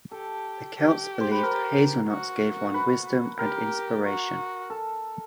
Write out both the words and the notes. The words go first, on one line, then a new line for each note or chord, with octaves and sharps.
The Celts believed hazelnuts gave one wisdom and inspiration.
G4 A4
G4
C5
B4
A#4
F#4
B4
G4 A#4
F#4
A4